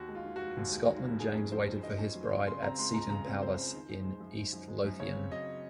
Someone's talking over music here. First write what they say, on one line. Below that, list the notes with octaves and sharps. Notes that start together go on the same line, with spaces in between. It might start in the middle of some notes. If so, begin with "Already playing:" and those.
In Scotland James waited for his bride at Seton Palace in East Lothian.
Already playing: D#2 F#4
G#3
F4
D#3
F1 F#4
D#2
G#3
D#3
F1
D#3 G#4
C#4
F#3 C5
F2
D#3 D#5
C#4
F#3
F2
C#3 C6
C4 A#5
G#3 C6
C#2 A#5
C#3 A#5
C4
G#3 C5
C#2
D#3
F#2
G#3
F#2
D#3
F#2
G#3
F#2
C#3 C#5
C4
F#3 D#5